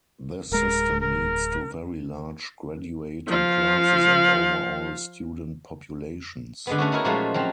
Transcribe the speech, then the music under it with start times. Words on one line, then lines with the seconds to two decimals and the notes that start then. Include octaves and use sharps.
This system leads to very large graduating classes and overall student populations.
0.52 D1 G#3 A#4
1.01 A#4
3.27 F3 F5
6.67 D3 G#3 B3
6.78 A3 C#4 F#4
6.92 D#4 E4 G#4 A#4 C#5
7.04 A#2 F3 F#3 G#3 A3 F4
7.34 F3 F#3 C4